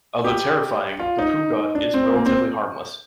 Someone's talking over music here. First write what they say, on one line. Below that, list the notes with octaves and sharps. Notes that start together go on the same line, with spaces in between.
Although terrifying, the "pugot" is relatively harmless.
G4
F4
D#4
D4
C4
A#3
C4